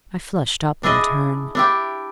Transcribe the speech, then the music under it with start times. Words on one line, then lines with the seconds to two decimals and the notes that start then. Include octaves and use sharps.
I flushed up in turn.
0.83 D4 E4 G#4 D#5
1.55 D4 E4 G4